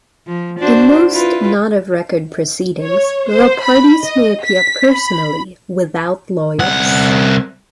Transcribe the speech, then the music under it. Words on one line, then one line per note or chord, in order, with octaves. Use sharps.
In most "not of record" proceedings, the parties may appear personally, without lawyers.
F3
D4 F#4 C5
E4 F4 B4
C#5
C5
B5
D#5
B6
B5
C2 F#5